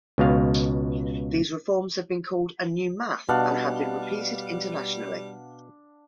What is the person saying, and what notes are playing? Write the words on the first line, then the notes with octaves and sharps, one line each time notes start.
These reforms have been called a new math and have been repeated internationally.
C#2 B2 F5
B2 G3 D4 F5 F#5